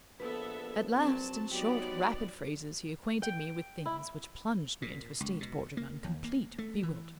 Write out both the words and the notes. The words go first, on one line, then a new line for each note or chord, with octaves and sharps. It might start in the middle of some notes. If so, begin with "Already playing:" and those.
At last, in short rapid phrases, he acquainted me with things which plunged me into a state bordering on complete bewilderment.
A#1 B3 A4 B4 E5
F#3 C4 A5
F#3 B3 D#4 G4 D5
G5
E4
A#2
C#2
B2
A#3
D#2
A#3
A3
E3